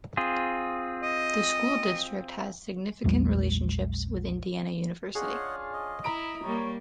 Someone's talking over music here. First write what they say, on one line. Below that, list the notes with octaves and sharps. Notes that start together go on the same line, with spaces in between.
The school district has significant relationships with Indiana University.
C4 F4 G#4
D#5
A#1 E2 F#3 G#3
C#4 D4 F4 G#4 C#5 D#5 F#5
D#5
E4 A#5 B5 D7
G3 A#3 C#5